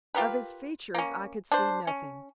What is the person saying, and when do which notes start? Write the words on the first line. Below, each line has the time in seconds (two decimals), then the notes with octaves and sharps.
Of his features I could see nothing.
0.15 F4 G4 A#4 B4
0.94 A#3 C#4
1.52 D4 C5
1.87 C#4